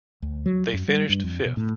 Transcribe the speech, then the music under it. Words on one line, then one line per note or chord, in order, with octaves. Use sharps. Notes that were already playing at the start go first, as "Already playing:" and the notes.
They finished fifth.
D2
F#3
F#2
G3
G2
F2
B2
A2